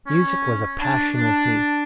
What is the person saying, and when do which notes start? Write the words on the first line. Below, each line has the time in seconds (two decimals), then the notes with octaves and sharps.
Music was a passion with me.
0.07 C#4
0.80 D4
1.17 D4